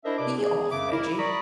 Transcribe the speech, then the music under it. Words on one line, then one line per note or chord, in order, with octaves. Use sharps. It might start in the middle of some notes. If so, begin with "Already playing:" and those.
"Be off, Reggie!"
D4 E4 A#4 C5 D#5 E5
C3 D4 E4 B4 D5 D6
G#4
F#2 C#3 E5 D6
E4 A#4
D5 A#5 B5 C#6 D#6